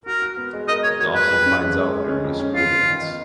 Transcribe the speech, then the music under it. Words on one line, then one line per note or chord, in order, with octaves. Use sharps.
Dawson finds out during a school dance.
F#4 A#4
F#4
B3
G#3
A#4 D#5
A#4 C#5
F#4 C#5
G#3 B4
F2
C#4
G#3
G#3
G#3
C#4
F2
C#4
B3 F4
B3
D#3
D#3